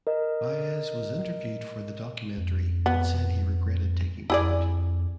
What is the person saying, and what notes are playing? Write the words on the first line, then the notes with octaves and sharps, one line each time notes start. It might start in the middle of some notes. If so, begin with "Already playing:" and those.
Baez was interviewed for the documentary but said he regretted taking part.
A#4 D#5
F2
B3
F2 E4 G#4 D5